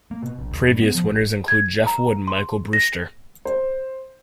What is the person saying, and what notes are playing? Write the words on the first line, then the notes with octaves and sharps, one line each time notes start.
Previous winners include Geoff Wood and Michael Brewster.
A#3
B2
A#1
D#2
G2
B3
F3
A1
G#6
A#5
C6
A#6
C5